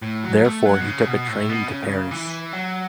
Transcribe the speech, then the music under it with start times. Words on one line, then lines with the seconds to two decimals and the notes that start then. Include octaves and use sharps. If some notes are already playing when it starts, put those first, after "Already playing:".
Therefore he took a train to Paris.
0.02 A2
0.24 F#3
0.44 A3
0.66 F#3
0.80 B2
0.86 C#3
1.07 B2
1.27 A2
1.49 B2
1.69 C#3
2.11 E3
2.53 F#3